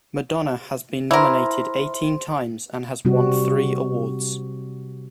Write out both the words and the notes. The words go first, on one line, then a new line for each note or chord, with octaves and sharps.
Madonna has been nominated eighteen times and has won three awards.
E3 E4 A#4 C5 C6
C3 G3 C4 F#4